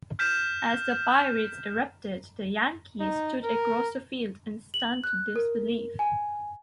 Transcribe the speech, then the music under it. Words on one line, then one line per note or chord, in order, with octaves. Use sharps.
As the Pirates erupted, the Yankees stood across the field in stunned disbelief.
F6 G6 B6 E7
D#4
A#4
F#7
F#6
A#4
G#5